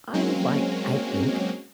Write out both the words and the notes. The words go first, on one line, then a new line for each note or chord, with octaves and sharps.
I would like I think
F#3 G#3 A#3 C4 C#4